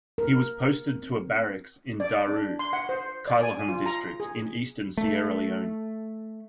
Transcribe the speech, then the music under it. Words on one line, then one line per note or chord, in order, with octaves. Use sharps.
He was posted to a barracks in Daru, Kailahun District in Eastern Sierra Leone.
A#4
C4
D5
D4
C6
F#5
C5
D5
G#5
F4
A#5
G#4
A3